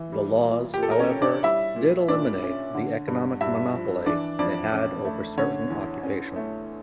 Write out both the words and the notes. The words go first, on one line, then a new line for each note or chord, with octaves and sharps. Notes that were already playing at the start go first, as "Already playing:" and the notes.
The laws, however, did eliminate the economic monopoly they had over certain occupations.
Already playing: E3
G3
A#2
G4
A#2
A4
A#4
C#4 C#5
C#4
D4 D5
G3 E4 E5
A#2
A#2 D4 D5
C#4
D3
G2
G2 E4 E5
F3
E3 D4 D5
F2 D4 D5
C#4
A3
D3 C#4 C#5
E2
C#4
A3